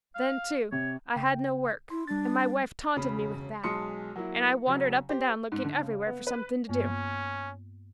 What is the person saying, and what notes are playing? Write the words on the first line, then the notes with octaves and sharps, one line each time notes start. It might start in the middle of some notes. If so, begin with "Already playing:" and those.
Then too, I had no work, and my wife taunted me with that, and I wandered up and down looking everywhere for something to do.
F5
C3 C#5
C#3 G5
E4 C6
G3 D4 A6
E1 C#3 B5
B1 G#3 A5 C6 D#6 C#7
F#3 A#3 E4
C#3 F#3
G4 C5
G#2
D3
C#3
B3
B4
G2 A#3 B3 C#4